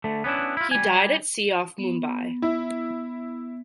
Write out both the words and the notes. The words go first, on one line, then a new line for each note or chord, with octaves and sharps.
He died at sea off Mumbai.
D3 A3
B3 C#4 D4 E4
E4 F4
G3 G#5
B3
E4